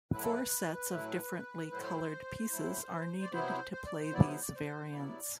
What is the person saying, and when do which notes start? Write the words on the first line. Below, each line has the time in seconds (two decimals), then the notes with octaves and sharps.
Four sets of differently colored pieces are needed to play these variants.
0.12 A2 F#3 A3 E4 B4
0.23 A4
0.32 B4
0.92 A2 F#3 A3 E4
1.72 A2 F#3 A3 E4 C5
2.52 A2 F#3 A3 E4
3.22 D5
3.32 C3 F#3 B3 E4 C5
3.72 C5
3.86 D5
4.00 C5
4.12 C3 F#3 B3 E4 D5
4.28 C5
4.42 D5
4.55 C5
4.92 C3 F#3 B3 E4 D5